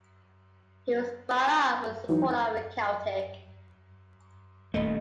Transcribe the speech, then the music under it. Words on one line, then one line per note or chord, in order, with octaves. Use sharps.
He was brought up a supporter of Celtic.
E3 F#3 D#4
D#1 D#2 A3 D#5